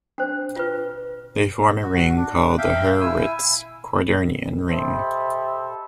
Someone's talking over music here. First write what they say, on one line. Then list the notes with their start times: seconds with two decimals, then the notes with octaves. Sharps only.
They form a ring called the Hurwitz quaternion ring.
0.18 D4 C5
0.56 F4 B4
1.82 F#4
2.16 D4
2.58 E5 F5 G5
3.01 E4 G#5 E6
4.68 G4 A4 C5 D#5 E5 B5